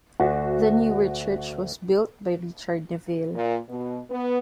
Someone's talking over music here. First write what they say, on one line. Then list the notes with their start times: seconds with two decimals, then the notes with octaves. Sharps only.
The newer church was built by Richard Neville.
0.20 D2 F#4
3.34 A#2
3.69 B2
4.10 B3